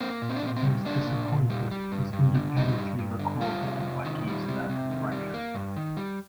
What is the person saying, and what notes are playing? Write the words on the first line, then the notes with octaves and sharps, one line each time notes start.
His disappointment is independently recorded by Giesler and Breker.
A#3 C4
A#2
C4
D4
A#2 C4
C4
G3
A#3 D4
A#2
A#2
G3
G3
G2
G2
D3
G3 D#4
G2
G2
D3
G3 F4
C3
C3
D#3
G3
C3
C3
D#3
G3
A#3
G2
D#3
G3